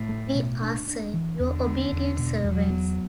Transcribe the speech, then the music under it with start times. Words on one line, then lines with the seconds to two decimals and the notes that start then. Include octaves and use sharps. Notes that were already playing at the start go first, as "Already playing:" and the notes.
We are, Sir, Your obedient servants.
Already playing: A2
0.09 A3
0.35 B2
0.61 D4
0.88 D4
1.14 E3
1.40 E2 D3
1.66 B3
1.92 E2
2.18 B2
2.44 E2 F#3
2.70 B3